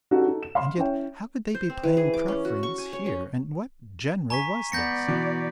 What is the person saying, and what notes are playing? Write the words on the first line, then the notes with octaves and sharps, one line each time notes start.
And yet how could they be playing preference here and what general was this?
C#4 D#4 F#4 G4 A4
D#4 A4
E7
F5 B5 C6
C#4 E4 C#5 G5
C5
C4
E3
G#4
D6
C#4
F#4
C#6
G#5
C#5
C#4
G#5 A#5 C#6 B6
B3 D5 G6 A#6 C#7
B2 E3